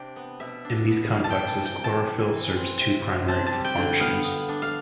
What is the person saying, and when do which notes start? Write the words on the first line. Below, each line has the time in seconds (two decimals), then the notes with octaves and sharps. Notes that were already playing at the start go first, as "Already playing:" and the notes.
In these complexes, chlorophyll serves two primary functions.
Already playing: C3 D4 G5
0.16 B3
0.40 B2 E5
0.64 D4
0.88 B3
1.12 G3 F5
1.24 A5
1.30 G5
1.36 E3
1.48 A5
1.60 C3
1.65 G5
1.84 E3 A5
2.08 E3
2.33 E3
2.56 C4
2.80 C3
3.05 C3
3.28 C4 A5
3.46 A5
3.52 G3
3.65 G5
3.76 D3
3.83 G5
4.00 B3 F5
4.24 B3
4.49 D4
4.62 F5